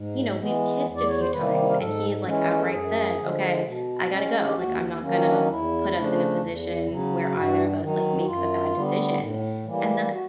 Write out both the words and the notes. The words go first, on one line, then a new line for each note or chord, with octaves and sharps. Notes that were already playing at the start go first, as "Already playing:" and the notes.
you know, we've kissed a few times, and he has, like, outright said, "Okay. I gotta go, like, I'm not gonna put us in a position where either of us, like, makes a bad decision." And that
Already playing: G#2
E3 G#3 B3
E2
D5
C#5
C5
C3 D#3 G3 A#3 B4
A#4
G#2 A4
E3 G#3 C#4
A4
F#2 G#4
D3 F3 G#3
B2
G#3 C#4
G4
D#2 F#4
D#3 F#3 A#3 C#4
D4
D#4
E2 E4
C#3 F3 A3 D4
E2
C#3 F#3
G2 F#4
D#3 F#3
F#4
F#2 F4
D3 G3 B3
A2
E3 G3 A#3
F#4